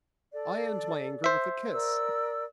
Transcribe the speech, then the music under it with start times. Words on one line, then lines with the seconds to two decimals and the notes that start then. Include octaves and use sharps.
I end my anger with a kiss.
0.32 A4 D5
1.24 C5 E5
1.73 A#4 D5 E6